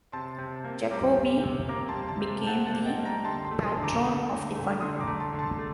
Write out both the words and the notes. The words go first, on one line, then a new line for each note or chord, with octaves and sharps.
Jacobi became the patron of the Fund.
C3 A5 C6
C3
A#3
G3 A#5 D6
C3
C3
A#3 A#5 D6
A5 C6
G3
A5 C6
C3
C3 F#5 A5
F#5 A5
A#3
D#5 G5
G3
G5 A#5
D3 A5 C6
A5 C6
A3
C6 D#6
D3
A#5 D6
A3
D3
A3
D3 C6 D#6
A#5 D6
A3
A5 C6
D3
A5 C6
A3